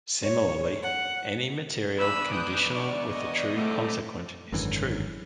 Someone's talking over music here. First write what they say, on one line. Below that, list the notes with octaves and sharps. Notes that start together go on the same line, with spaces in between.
Similarly, any material conditional with a true consequent is true.
C#5
F#5
E2 D4 B4 B5 E6
D6 D#6 F#6 G6
D5 C#6
D#5
D3 G3 A3 C4 D6
G#1 F#2 D3 E3